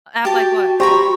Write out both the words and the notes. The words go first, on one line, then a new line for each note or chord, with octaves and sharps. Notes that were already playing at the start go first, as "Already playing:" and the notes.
App like what?
F#4 G4 G5 A5
G4 C5 A#5 B5 C#6